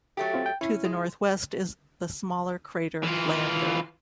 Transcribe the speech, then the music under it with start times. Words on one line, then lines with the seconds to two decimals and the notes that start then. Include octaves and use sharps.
To the northwest is the smaller crater Lander.
0.17 F#3 A3 G4
0.34 C4 F4
0.46 G5
0.61 C#4 E4
0.84 G#3
3.03 E3 F4